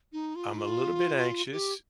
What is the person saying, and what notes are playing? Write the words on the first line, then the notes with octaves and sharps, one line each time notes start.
I'm a little bit anxious.
D#4
F4
D#4
F4
G4